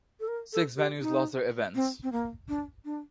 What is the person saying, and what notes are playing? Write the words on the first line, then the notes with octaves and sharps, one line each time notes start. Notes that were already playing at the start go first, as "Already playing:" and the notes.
Six venues lost their events.
A4
A#4
A4
G4
D#4
C4
C4
A#3
D4
D4